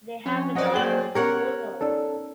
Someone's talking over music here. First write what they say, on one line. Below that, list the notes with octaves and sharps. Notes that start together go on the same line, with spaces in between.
They have a daughter, Willow.
F2 C#4
F#3 C4 D5 D#5 F#5
A#3 G#4 C5 G5 F#7
B3 C#4 G4 A#4 C#5 F#5
C#4 D#4 A4 D5 E6